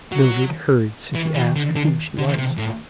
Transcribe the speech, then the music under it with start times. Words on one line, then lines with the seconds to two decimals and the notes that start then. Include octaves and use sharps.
Mildred heard Cissy ask who she was.
0.12 F#3
1.15 E3
1.35 E3
1.56 D3
1.76 D3
2.18 D3
2.38 C3
2.58 A2